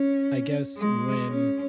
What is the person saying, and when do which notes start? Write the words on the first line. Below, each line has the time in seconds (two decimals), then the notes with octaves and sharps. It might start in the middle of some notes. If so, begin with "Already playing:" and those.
I guess when,
Already playing: C#4
0.78 G#3
1.28 C#4